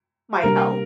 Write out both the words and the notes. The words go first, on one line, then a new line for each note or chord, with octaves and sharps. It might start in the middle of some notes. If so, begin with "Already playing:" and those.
my health.
C3 G3 A#3 D4 G4 A#4